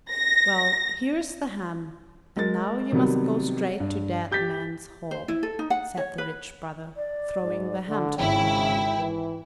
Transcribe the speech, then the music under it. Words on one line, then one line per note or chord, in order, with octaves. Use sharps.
"Well, here is the ham, and now you must go straight to Dead Man's Hall," said the rich brother, throwing the ham to him.
A#6
G#3 A#4 A6
C3 D#3 F#3 G3 B3
G2
G4 G6 A6 B6
C5
E4
A4
D#4
F#5
C#5
B4
D5
G#2
D3
G#1 C#3 E4 G5
E3